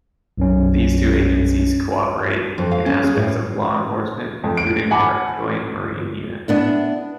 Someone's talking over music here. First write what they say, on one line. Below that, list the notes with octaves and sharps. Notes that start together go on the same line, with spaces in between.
These two agencies co-operate in aspects of law enforcement, including their joint marine unit.
B1 F#2 C#4
F2
F5
C#4
G#4
A2
F2
D7
F#5 G#5 A5 B5 D6
B3 D4 E4